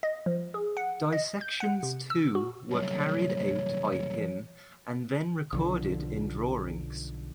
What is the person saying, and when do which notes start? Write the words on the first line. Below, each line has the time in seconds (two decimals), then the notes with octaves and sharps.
Dissections too were carried out by him and then recorded in drawings.
0.03 D#5
0.26 F3
0.54 G#4
0.77 F#5
1.13 D#5
1.41 G6
1.60 F#5
1.83 C3
2.10 E6
2.35 F#4
2.70 C2 F#2 C#5
5.53 B1 D3 F3